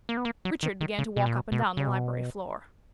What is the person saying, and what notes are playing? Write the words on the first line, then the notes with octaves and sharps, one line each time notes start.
Richard began to walk up and down the library floor.
A#3
B3
A#3
F#3
D#3
D#3
C#3
B2
A#2
B2
B2
C#3
B2